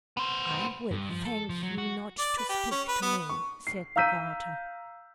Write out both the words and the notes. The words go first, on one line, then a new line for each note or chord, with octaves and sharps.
"I will thank you not to speak to me," said the garter.
B3 C5
G2
F3
A4
F3
F#3
F#4
D5
B4
G4
C#4
B4
B3
C#6
C7
F5 A#5 E6 G6 B6 D#7